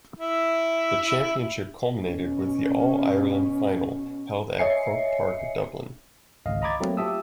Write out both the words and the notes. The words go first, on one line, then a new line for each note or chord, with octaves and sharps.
The championship culminated with the All-Ireland final, held at Croke Park, Dublin.
E4 E5
B2 C#4
C#5 D#5 E5 G#5 C7 C#7
G#1 C#2 D#5 F5
D#5 A#5 B5 D6 G#6 A6
F#3 A3 A#3 C4
F4 G4 E5 A5 D#6 E6